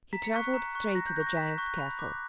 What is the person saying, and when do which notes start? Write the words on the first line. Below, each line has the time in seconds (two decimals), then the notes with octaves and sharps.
He traveled straight to the giant's castle.
0.13 A#5 B6
0.23 C#7
0.33 C#6 F#6 B6
0.54 A#5
0.75 C#6 F#6
0.95 A#5 A#6
1.06 G6
1.16 C#6 F#6 A#6
1.27 A#6
1.37 A#5 B6
1.58 C#6 F#6
1.78 B5
1.99 D6 F#6